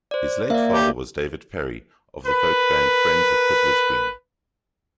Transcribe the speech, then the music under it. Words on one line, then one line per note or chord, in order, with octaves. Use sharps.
His late father was David Parry of the folk band Friends of Fiddler's Green.
C5 D5
A#3 D5 E5
G4
A#4 B4